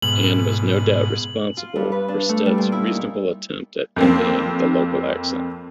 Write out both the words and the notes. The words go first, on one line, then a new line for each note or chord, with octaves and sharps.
Anne was no doubt responsible for Stead's reasonable attempt at conveying the local accent.
G#2 B2 F#7
F4
G2
B4
D4
A3
G3
A#2
E4
D#4
F2 A#3 C4